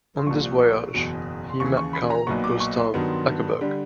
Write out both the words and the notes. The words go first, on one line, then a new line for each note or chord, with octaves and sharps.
On this voyage he met Carl Gustaf Ekeberg.
C6
C2 A#2 F3 C#6
F#1 E2 B2 F#3
C6
D#2 C#3 E3 C#6
C#6
B5
A#5
B1 A#2 F#3 B3 C#6
D6
C#6
C6
G2 D#3 F#3 B3
D3 G3